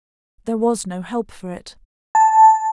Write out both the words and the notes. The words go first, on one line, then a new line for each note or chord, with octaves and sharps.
There was no help for it.
A5